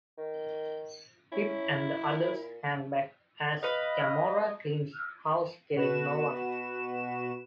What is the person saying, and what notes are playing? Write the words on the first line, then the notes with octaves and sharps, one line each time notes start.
Pip and the others hang back as Gamora cleans house, killing no one.
D#3
C#4 E4
A#2
B4 D#5 F5
B2 F#4 B4 E7